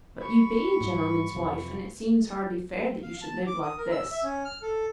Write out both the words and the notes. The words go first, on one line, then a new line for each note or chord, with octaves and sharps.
"But you BE a gentleman's wife; and it seems hardly fair that you should live like this!"
B5 C#6
G#2 G3
F2 C3 F3
F5
A5
D6
D#6
A#4
E6
E5
C#4
F6
A4